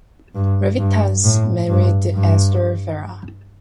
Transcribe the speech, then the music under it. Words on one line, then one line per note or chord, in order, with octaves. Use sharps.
Levitas married Esther Fera.
G2
G2
A2
G2
G2